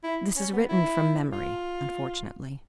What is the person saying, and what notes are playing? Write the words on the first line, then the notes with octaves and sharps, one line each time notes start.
This is written from memory, unfortunately.
E4
C#4
B3
E4
F4